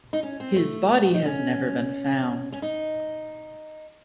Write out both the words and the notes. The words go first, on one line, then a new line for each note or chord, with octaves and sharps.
His body has never been found.
D#4
C#4
C4
A3
D#4
C#4
C#4
D#4